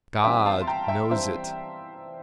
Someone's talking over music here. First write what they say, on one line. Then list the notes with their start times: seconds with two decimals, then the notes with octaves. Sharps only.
God knows it.
0.24 E3 G3 C4 E5 G5
0.46 F5 A5
0.61 C6
0.67 G5 A#5
0.88 E5 G5
1.11 E3 G3 C4 C5 E5